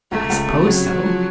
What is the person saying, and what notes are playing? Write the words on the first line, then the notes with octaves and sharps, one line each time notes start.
"I suppose so."
C#2 A3
C#2
C3
C#3 F#3
C#3
F3